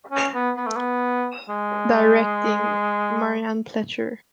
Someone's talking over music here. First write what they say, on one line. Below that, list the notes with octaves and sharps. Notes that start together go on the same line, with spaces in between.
Directing: Marianne Pletscher.
C#4
B3
B3
A3
B3
G#3